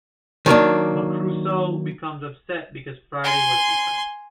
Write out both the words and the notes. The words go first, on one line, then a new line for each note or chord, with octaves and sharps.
But Crusoe becomes upset because Friday was his friend.
D#3 F#3 A#3 D4
G#5 C6